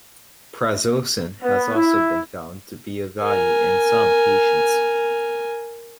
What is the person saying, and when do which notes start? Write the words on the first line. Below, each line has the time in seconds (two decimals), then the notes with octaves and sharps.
Prazosin has also been found to be of value in some patients.
1.43 B3
1.75 E4
3.22 A#4 G#5